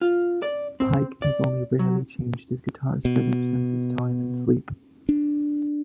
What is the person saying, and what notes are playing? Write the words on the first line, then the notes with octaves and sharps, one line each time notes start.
Pike has only rarely changed his guitar setup since his time in Sleep.
F4
D5
C4
D5
F#3
B2
D4